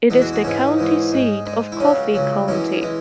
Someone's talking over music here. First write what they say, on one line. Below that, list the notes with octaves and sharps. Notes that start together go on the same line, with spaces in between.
It is the county seat of Coffee County.
E2 E3 G#3 B3
F#4
F#4
G#2 E3 G#3 C#4
G#2 E3 G#3
G#2 G#3
G#2 G#3
E4
C#2 C#3 F#3 C#4
C#2 C#3 F#3
F#2 E3 G#3 C#4
E3 G#3